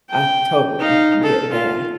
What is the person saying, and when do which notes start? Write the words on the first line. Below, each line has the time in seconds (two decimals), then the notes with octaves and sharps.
I totally get that.
0.10 G5
0.80 D#4 F5
1.23 A4
1.53 F4